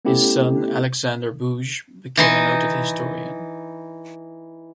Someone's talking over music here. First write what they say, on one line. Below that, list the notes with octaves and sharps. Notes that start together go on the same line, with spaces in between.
His son Alexander Bugge became a noted historian.
A3 B3 C#4 E4 G4 A4
E3 D#4 C6